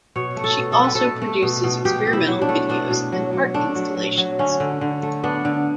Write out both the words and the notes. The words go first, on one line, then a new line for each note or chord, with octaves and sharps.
She also produces experimental videos and art installations.
B2 C#5
A3
A4
B2
A4
A3 B4
A4
B2
A3
B2
B2
B2 G4
B2
E4
F#3
D4
A3
B2 D4
B2
F#3
F#3
A3 D4
F#3
F#3
F#3
D3 C#4
D3
D3
A3
B3 D4
D3